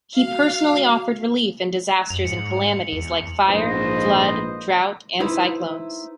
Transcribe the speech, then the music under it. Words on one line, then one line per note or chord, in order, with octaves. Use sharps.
He personally offered relief in disasters and calamities like fire, flood, drought, and cyclones.
F#4 F5
F#2 F7 F#7
G#2 C#7
E2
A#1 G#2 F3 B4 C5 D#5
D#4 E4 B4 C5